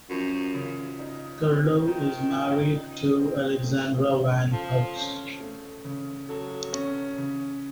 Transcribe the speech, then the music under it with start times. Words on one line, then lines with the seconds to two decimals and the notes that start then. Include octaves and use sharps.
Terlouw is married to Alexandra van Hulst.
0.10 F#2 F3
0.54 C#3
0.99 D#4
1.43 C4
1.87 D#3 F3
2.31 C#3
2.75 D#4
3.19 C4
3.64 A3
4.07 C#3
4.52 F3 A4
4.96 C#4
5.40 A3
5.84 C#3
6.29 F#3 A4
6.73 C#4
7.18 C#3